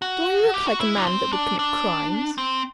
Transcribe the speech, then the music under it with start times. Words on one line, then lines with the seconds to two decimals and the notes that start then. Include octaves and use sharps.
"Do I look like a man that would commit crimes?"
0.02 F#4
0.54 G4
0.67 F#4
0.80 E4
0.97 D4
1.07 C4
1.33 D4
1.59 D4
2.38 C4